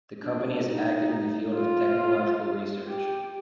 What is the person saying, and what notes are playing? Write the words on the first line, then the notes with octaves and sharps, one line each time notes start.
The company is active in the field of technological research.
D4
D#4
F4
G4